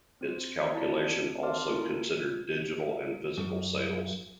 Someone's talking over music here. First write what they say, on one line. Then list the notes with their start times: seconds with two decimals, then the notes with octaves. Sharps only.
Its calculation also considered digital and physical sales.
0.21 C4 C5
0.72 C4 E4 C#5 D5 A5
1.20 C4
1.43 A5 C6 D6 F6
1.68 A#3 C#4 E4 F#4 A4 A#4
3.38 F#2